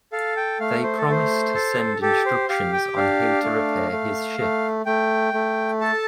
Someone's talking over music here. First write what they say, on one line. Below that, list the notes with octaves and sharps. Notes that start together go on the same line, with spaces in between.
They promise to send instructions on how to repair his ship.
A4 F5
G5
A3 F5
C5
A4
A3 C5
A4
G4 A4
C5
G4 F5
G5
D4 F5
A3
A3
A3
A3 G5
A3
A4 A5